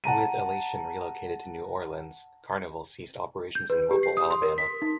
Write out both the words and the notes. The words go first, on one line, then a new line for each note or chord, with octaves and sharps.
With "Elation" relocated to New Orleans, Carnival ceased operations in Mobile, Alabama.
F#5 A5 A#5 D#7
G6
B4
G4
C7
D#6
C6
A#4
B6
D#4